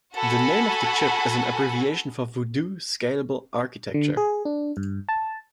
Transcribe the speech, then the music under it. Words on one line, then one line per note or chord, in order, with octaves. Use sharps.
The name of the chip is an abbreviation for Voodoo Scalable Architecture.
F#4 A4 F#5 G#5 B5
D3
G#4
D4
G2
A5